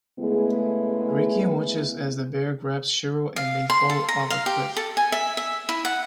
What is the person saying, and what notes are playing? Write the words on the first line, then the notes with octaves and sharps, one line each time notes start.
Riki watches as the bear grabs Shiro and they fall off a cliff.
C#3 G#3 A3 B3 E4 G#4
F5
C6
A4
A#5
F5
G4
A4
G#5
E5
E5
E4
F#5